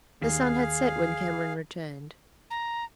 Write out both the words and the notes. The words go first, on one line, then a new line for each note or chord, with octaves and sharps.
The sun had set when Cameron returned.
D#2 G#4 F5
A#5